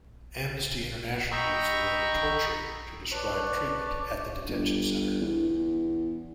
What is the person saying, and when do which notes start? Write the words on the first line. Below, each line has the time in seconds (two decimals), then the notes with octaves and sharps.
Amnesty International used the word "torture" to describe treatment at the detention center.
1.31 D#5 G5 A#5 B5 C#6 E6
3.12 B4 C#5 D5 A5
4.48 G1
5.21 E2